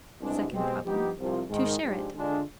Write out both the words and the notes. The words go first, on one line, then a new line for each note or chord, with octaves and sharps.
Second problem: To share it.
C2 B2 G#3 D4
B2 G#3 C4 G4
G2 F3 B3 D#4 G4
C2 C3 F3
G#2 D#3 G#3
G#2 F3 G#3 D4 G4
D3 G#3 D4 F4